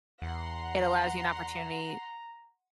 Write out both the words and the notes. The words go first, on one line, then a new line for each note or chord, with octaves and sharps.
it allows you an opportunity
E2 F#5 A#5 C6